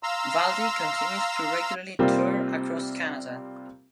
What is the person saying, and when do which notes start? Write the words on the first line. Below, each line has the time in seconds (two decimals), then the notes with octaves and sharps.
Valdy continues to regularly tour across Canada.
0.03 F5 A#5 C6 E6
1.99 C3 G3 A#3 C4 F4